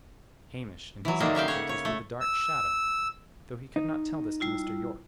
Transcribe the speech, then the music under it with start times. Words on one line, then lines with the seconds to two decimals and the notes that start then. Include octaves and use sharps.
Hamish and his difficulties were the dark shadow; though he could not tell this to Mr. Yorke.
1.05 E3 F#3
1.20 D3 D#3 F#3 A#3 D4
1.35 C#3 E5 F5 G5
1.48 C#5 F#5
1.69 C#5
1.85 A3
2.21 E6
3.76 D#4
4.40 G3 E4 F4